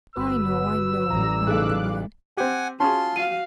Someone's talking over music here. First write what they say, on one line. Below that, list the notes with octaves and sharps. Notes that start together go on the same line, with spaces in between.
"I know, I know," nodded the man.
G1 F#4 B4 E6
A1 G3 A#5
B1 C#3 A3 F5 D6 F#6
C4 G4 F#5 G#5
C#4 F4 F#4 G#4 A5 C6
F#4 F5 D#7